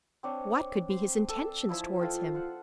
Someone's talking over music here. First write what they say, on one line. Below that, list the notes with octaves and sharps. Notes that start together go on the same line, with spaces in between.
What could be his intentions towards him?
C4 D4 C#5
C5
A4
F3 E4 E5 G#5
F4 A4 G5
C5 F#5